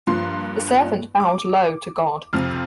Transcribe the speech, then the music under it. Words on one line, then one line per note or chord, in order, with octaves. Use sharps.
The servant bowed low to God.
G2 F3 A#3 F4 C6
D6
F2 C3 F3 C4 F6